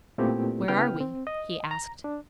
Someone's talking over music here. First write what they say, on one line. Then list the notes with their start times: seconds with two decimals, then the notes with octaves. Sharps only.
'Where are we?' he asked.
0.18 A#2 A3 B3 C4 E4 G4
0.68 C#3 B3 E4 B4 G5 F6
1.00 C4
1.27 D#5
1.71 A#5
2.04 D4